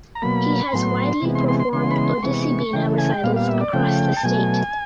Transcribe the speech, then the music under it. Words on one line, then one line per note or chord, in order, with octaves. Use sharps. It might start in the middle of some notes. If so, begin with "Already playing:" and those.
He has widely performed Odissi Bina recitals across the state.
A#5
B2 F#3 A#3 B5
A2 F#3 B3 C6
C3 E3 G#3 B3
C6
C6
C6
C#3 E3 G#3 B3 C6
B5
C6
C3 E3 G#3 B3 C#6
C#3 E3 A3 G5
G#5
G5
A#2 G3 B3 F5
F5
E5
D5
C#3 F3 A3 G5
A5
B2 F#3 A3 G#5